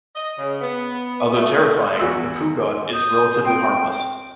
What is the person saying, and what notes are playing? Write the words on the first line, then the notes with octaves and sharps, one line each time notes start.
Although terrifying, the "pugot" is relatively harmless.
D#5
C#3
B3
A3
E2 F#4 E6
D#6 G6
C4 G5